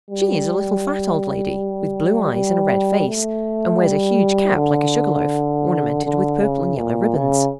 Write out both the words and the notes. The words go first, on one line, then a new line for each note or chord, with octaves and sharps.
She is a little fat old lady, with blue eyes and a red face, and wears a huge cap like a sugar-loaf, ornamented with purple and yellow ribbons.
G3
G3
A3
G3
D3
D3
C#3
A#2
C#3